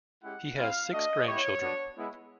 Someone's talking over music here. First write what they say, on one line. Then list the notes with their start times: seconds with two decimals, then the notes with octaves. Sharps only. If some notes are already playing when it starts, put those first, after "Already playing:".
He has six grandchildren.
0.22 G#3 C#4 E4 G4 F#5
0.56 G3 C4 E4 F5
0.92 A3 D4 F#4 D#5
1.26 B3 E4 G4 C#5
1.61 B3 D4 F#4
1.96 G#3 B3 E4